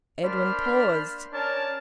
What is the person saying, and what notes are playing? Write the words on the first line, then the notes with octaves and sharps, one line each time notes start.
Edwin paused.
A#3 D4 C5 D5 B5 F6
C#4 D4 A#4 C#5 A5